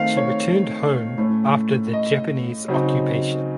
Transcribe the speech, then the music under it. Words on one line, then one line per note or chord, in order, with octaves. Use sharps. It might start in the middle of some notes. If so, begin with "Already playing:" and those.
She returned home after the Japanese occupation.
Already playing: D#3 A3 C4 F5
C#5
A2 A3 C#4
D#5
C#3 F#3 C4 D#4